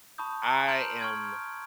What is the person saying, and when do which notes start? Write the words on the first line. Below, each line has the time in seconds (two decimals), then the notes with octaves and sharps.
I am
0.18 A5 B5 C#6 D#6 G6
0.67 A#5 C6 F6 G6 D7 F#7
1.01 C#6 F6 G#6